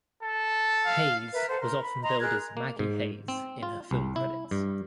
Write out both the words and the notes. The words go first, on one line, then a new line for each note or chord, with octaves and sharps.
Hayes was often billed as Maggie Hayes in her film credits.
A4
F5
A#4 B4 E5
A4 C5 F#5
A#4 C6
B5
D#5 A#5 C6
G#4 A#4 F#6 G#6
A#3
G#2
C4
F4
C2
E4
G2